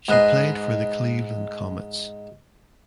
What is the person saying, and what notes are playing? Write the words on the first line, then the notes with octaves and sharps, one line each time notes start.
She played for the Cleveland Comets.
G#2 B4 D#5 C6